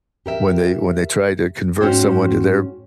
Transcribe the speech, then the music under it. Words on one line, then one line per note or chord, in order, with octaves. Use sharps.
when they when they try to convert someone to their
G4 A#4 E5
G#2 C#4 F#4 C5 G5